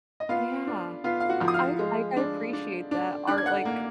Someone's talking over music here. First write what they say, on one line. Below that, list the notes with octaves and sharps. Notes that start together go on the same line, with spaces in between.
Yeah. Uh, I'll like, I appreciate that art, like
D#5
B3 F4 F5
D4
B3 F4 F5
F5
F#4 F#5
F3
D#6
F5 F6
G#3
D4
D4
D4
D4 F#6
G#6
F#5 F#6
A#3